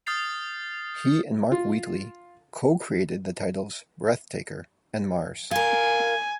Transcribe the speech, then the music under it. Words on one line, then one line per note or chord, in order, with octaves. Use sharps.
He and Mark Wheatley co-created the titles "Breathtaker" and "Mars".
D#6 F6 G6 A6 C7 F7
F4
F4 A#4 G#5